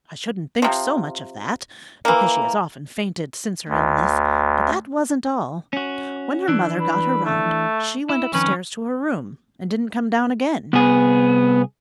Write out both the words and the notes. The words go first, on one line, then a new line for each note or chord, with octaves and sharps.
I shouldn't think so much of that, because she has often fainted since her illness, but that wasn't all. When her mother got her round she went upstairs to her room, and didn't come down again.
C3 F3
E3 A#3
D2
C#4 F#4
E3 D4
B4
A3
E4
F2 D#3 C#4 B4
C2 B3 G#4